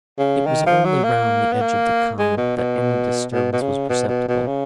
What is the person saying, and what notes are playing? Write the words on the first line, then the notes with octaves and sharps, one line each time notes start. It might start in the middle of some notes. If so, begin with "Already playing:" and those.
It was only round the edge of the common that any disturbance was perceptible.
C#3
D#3
F3
F#3
A#3
B3
A#3
G#3
B2
B2
B2
B2
C#3
B2
B2
B2
C#3